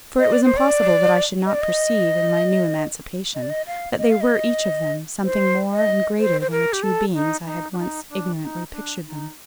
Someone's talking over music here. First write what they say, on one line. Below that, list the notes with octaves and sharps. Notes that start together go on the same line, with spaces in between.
For it was impossible that I should not perceive, in my new emancipation, that they were, each of them, something more and greater than the two beings I had once ignorantly pictured them.
D#5
D5
C5
D5
D#5
D5
D#5
D#5
D5
D#5
F5
D#5
F5
D#5
C5
D#5
C5
C5
A#4
G4
A4
D#4
D#4
D4
D#4
D4
D#4
D4
D#4